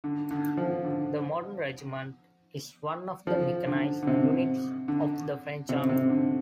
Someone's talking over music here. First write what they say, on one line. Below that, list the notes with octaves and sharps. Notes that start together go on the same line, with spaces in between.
The modern regiment is one of the mechanised units of the French Army.
D3
D3
F3
D3
F3
D3
D3
C3
D3
C3
C3
D3